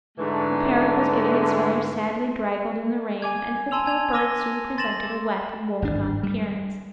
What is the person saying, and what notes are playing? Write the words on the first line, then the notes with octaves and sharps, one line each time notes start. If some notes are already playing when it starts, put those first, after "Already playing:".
The parrot was getting its feathers sadly draggled in the rain and the poor bird soon presented a wet and woebegone appearance.
G#2 D3 E3 A3
G#5 D6 G#6
G#5 A5 C6 E6 F7
G#5 G#6 F7
D6 E6 A#6 D#7 G7
C6 A6 A#6 E7 F#7
G#1 G2 D4
G3